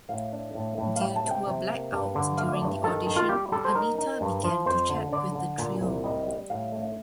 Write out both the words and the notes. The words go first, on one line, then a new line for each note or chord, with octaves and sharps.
Due to a black-out during the audition, Anita began to chat with the trio.
A2 F5
D4
A2
A2
F5
G3 G5
A5
C3
G5
C3
A#3
G2
D3
A3 F5
D5
G2
D#3 A4
D#3
F4
G3 G4
G3 A4
C5
D#4 A#4
D#4
G2
F3
F2 C5
D3
D3 D5
D3
A#2
C2
G3 D#5
G3
A2 F5
A3